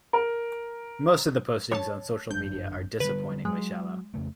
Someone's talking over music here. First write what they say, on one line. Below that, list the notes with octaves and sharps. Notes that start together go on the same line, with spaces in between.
Most of the postings on social media are disappointingly shallow.
A#4
C#5 A5
G1 F#2 D4 G6
D3 G3 B4
F#3 G#3
F2 C#3 A3